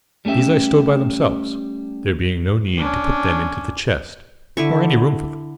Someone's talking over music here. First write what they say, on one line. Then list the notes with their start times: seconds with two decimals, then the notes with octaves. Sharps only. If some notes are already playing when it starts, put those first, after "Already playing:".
These I stowed by themselves, there being no need to put them into the chest, nor any room for them.
0.25 G3 A3 C#4 G4 E5
2.77 C#4 D4
4.57 D3 E4 C#6